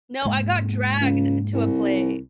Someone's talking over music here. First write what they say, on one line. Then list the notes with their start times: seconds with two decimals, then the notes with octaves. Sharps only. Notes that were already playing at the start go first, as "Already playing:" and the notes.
No, I got dragged to a play.
0.25 G#2 G#3 A#3
1.01 C#2
1.53 C2